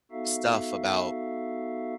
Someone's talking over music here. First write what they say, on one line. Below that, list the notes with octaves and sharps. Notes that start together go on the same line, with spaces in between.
stuff about
B3 D#4 F#4 A4 E5 F5